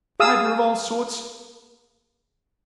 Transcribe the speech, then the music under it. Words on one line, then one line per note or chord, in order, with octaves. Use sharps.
Fibre of all sorts.
G#4 F5 D#6 E6